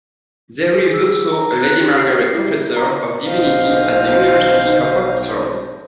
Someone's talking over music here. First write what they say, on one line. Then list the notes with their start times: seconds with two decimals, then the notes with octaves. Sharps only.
There is also a Lady Margaret Professor of Divinity at the University of Oxford.
0.74 G#4
0.94 E6
1.32 A#5
1.62 F#6
1.81 G4
1.98 C7
2.35 E4
2.76 A#5
3.25 B1 C5 D#5 F5